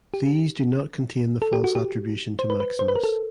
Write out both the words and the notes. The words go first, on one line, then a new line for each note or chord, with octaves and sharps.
These do not contain the false attribution to Maximus.
G4
A4
G4
F#4
G4
C5
B4
B4
C5
B4
A#4
A4